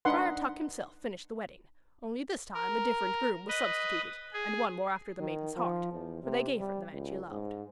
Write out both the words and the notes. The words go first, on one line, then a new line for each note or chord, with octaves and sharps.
Friar Tuck himself finished the wedding--only this time a different groom was substituted and one more after the maiden's heart, for they gave her the man she loved.
D4 D#4 B4 F#5 C6
A#4
B4 D#5
G#4
D#3
F3
E2
C3
G3
C#2
G#2